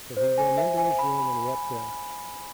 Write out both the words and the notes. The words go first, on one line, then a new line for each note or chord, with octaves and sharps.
So he went into his room and wept there.
C5
G#5
E5
G#5
B5
B5